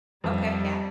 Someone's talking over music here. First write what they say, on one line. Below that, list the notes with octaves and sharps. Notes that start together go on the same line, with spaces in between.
Okay, yeah.
F2 G3